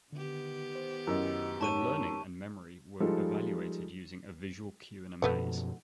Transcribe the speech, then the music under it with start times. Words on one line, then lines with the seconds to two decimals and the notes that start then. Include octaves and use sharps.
Then learning and memory were evaluated using a visual cue in a maze.
0.12 D3 D#3 B3 G4
0.75 C5
1.07 F#2 E4 D#5
1.61 G#3 D#4 C#5 A5 C#6 D#7
3.00 F3 G3 G#3 D#4 F4 A4
5.22 F#2 B2 F3 A3 B3 F#5